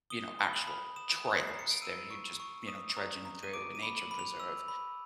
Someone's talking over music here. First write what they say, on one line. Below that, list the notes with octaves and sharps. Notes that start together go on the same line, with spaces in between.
you know, actual trails, they're you're just, you know, trudging through a nature preserve.
D#6 G7
B5 G7
F#7
B5
D#6 E7
A#5
C7
A#5
C#7
D7
E6 D#7
C#6
C#6
D#6
A#5
A#5
D#7
D6 D7
D#7
B5
F#7
B5
F7
E6
B5